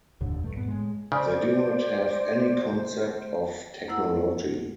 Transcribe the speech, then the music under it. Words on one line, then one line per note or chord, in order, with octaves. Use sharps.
They do not have any concept of technology.
F1 D#2 A2 D3
B1 G2 A3
G#1 G#2 B3
A2 G#3
C#3 C5 D5
F#2 A3 E4 F#5 E6